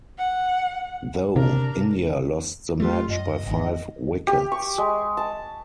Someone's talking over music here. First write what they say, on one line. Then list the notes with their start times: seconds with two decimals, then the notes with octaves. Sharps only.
Though, India lost the match by five wickets.
0.18 F#5
1.36 C3 D4 A#4
2.80 F#3 G3 A3 F4
3.09 F#2 D#5
3.46 G#1 D#3
4.27 G4
4.52 C#6
4.78 G#3
5.17 A5